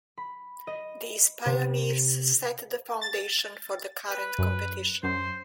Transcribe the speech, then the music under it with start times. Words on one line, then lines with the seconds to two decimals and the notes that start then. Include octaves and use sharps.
These pioneers set the foundation for the current competition.
0.18 B5
0.67 D#5
1.46 C3
3.01 A6
4.10 B4
4.38 F#2
5.03 F#2 C5